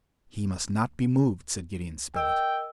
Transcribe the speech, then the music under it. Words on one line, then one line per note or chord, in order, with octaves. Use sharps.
"He must not be moved." said Gideon Spilett.
A#4 D#5 G5 E6